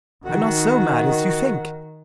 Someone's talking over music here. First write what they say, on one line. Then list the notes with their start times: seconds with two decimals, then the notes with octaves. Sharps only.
I'm not so mad as you think.
0.25 D#3 F#4